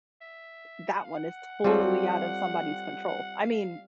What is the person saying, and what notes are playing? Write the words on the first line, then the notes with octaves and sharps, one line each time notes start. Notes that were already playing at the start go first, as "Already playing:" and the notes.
that one is totally out of somebody's control, I mean
E5
F#5
F5
F#5
G3 C4 F4 A4 C#5
F#5
F5